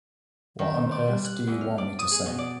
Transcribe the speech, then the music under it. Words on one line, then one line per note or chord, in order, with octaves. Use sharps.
What on earth do you want me to say?
D#3
C4
D5
G3
F#6
E2
F6
D5
D#6
G#4
B2
D5